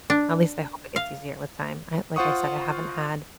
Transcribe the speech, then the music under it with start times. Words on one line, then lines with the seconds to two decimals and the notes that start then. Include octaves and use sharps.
At least I hope it gets easier with time. I like I said, I haven't had
0.10 D4
0.96 F5
2.16 F4 C5 F#5 C#6 D#6